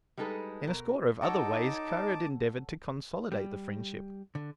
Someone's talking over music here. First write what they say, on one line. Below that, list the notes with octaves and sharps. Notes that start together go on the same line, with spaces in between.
In a score of other ways Kara had endeavoured to consolidate the friendship.
G3 G#3 D#4 A4 B4
B2 A#4
D#4 F#4 A4 C#5 A5 D6
G3
D3